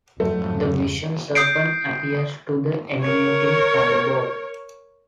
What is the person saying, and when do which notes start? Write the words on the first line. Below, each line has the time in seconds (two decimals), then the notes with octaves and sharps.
The Vision Serpent appears to be emanating from the bowl.
0.20 F2 G#2 F#3 A3
1.35 D#6 G6 C7 D7
3.01 A#4 C#5